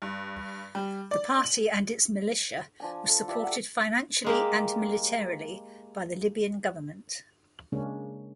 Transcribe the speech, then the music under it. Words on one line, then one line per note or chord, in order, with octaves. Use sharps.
The party and its militia were supported financially and militarily by the Libyan government.
G2
G3
D5
F#7
F3 D4 G#5
A4
F4 G4 D5 E5
F#5 A#5
G#3 A#3 G4
C#3 G#3 A#3 C#4 D4